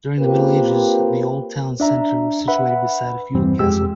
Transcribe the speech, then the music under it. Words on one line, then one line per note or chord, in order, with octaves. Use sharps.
During the Middle Ages the old town centre was situated beside a feudal castle.
A#3 C4 F4 G4 A#4 B4
D4 E5 A#5
B4 E5 F#5 B5
E2 G2 E3 G3 C4
F2 G#3 G4 E6